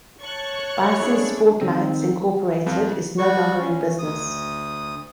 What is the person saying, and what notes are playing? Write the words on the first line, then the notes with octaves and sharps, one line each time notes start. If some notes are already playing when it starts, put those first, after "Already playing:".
Bison Sportslights, Incorporated is no longer in business.
C#5 A5 C#6 F#6
A3 C4 D4 E4 G#4
D#3 C4
F2
G3 F#4 C#6
C#4
D2 D#6